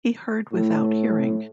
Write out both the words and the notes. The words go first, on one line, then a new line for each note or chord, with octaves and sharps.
He heard without hearing.
A2